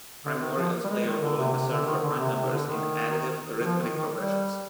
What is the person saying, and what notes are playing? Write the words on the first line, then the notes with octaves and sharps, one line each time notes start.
Primorials play a role in the search for prime numbers in additive arithmetic progressions.
D3
D#3
F3
G3
G#3
D#3
D3
C3
C3
D3
D#3
D3
C3
C3
D3
D#3
D#3
F3
D#3
D#3
G3